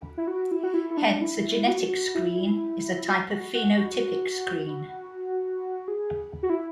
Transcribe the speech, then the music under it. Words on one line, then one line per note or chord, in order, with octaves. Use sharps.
Hence a genetic screen is a type of phenotypic screen.
E4
F#4
E4
F#4
E4
E4
D4
E4
F#4
E4
F#4
F#4
G#4
F#4
E4